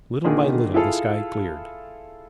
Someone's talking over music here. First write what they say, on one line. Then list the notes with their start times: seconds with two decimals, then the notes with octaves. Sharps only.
Little by little the sky cleared.
0.24 A#2 D3 D#3 G#4
0.74 E4 F4 G#4 A4 F5